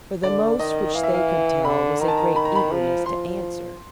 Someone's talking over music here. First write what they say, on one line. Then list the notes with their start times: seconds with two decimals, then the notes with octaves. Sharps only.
For the most which they could tell was a great eagerness to answer.
0.23 D3 D5
0.59 D#3 D#5
0.94 E3 F5
1.03 E5
1.14 F5
1.65 D3 B5
2.00 D#3 A#5
2.08 A5
2.17 A#5
2.36 B5
2.45 A#5
2.55 B5
2.71 F3
3.06 F3 C6